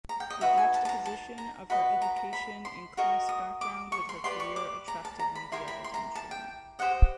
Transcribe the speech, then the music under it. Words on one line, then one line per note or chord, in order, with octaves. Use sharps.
The juxtaposition of her education and class background with her career attracted media attention.
A#5
G5
D#5
D#4 F#4 B4 E5
G#5
A5
A5
A#5
A5
A#5
F#4 B4 D#5 B5
A#5
A#5
B5
C6
F#4 A#4 D#5 C#6
D#6
D6
C#6
C6
G4 B4 D5 C6
C#6
D6
A#5
A5
A#5
B5
E4 G4 A#4 C6
B5
C6
A#5
A5
G5
G4 C5 D#5 F#5